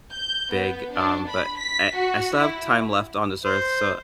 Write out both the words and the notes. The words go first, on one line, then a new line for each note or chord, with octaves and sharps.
big, um, but I I still have time left on this earth, so,
G6
B3
D4
B5
B6
F#4
E4
C5